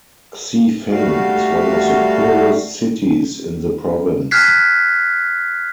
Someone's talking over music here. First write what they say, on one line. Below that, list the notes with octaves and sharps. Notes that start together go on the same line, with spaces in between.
Xifeng is one of the poorest cities in the province.
G3 A3 F#4 F5
F6 F#6 G#6 B6 C7